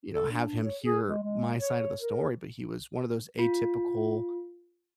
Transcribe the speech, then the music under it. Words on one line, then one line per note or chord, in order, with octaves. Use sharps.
you know, have him hear my side of the story, but he was one of those atypical,
A4
D4
C#5
G#4
G#3
G#3
C#5
A#4
F4